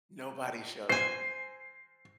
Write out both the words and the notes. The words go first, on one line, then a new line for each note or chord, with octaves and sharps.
nobody showed up,
C5 G#5 C7